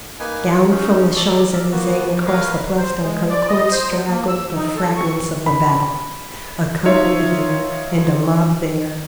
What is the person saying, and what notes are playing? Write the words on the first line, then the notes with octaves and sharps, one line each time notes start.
Down from the Champs Elysees and across the Place de la Concorde straggled the fragments of the battle, a company here, and a mob there.
A#3 D#4 B4 G#5
C#4 D#4
A4 D5
A#4 D5 E5
A#3 B3 F#4
A#4 B4 C#5 F5
C5
G#3
D5
D#5
C5
F#3
A#3
E6
D#4
A4
C#6
B5
D#4 F4 C#5 E5